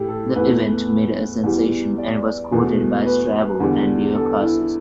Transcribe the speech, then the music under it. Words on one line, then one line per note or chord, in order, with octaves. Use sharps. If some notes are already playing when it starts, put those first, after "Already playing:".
The event made a sensation and was quoted by Strabo and Dio Cassius.
Already playing: A2 A3 E4 G4
A4
E2 E3 A3 B4
E2 E3 G3
D5
E2 B2 A3
B4
E2 D3 G3
A4
E4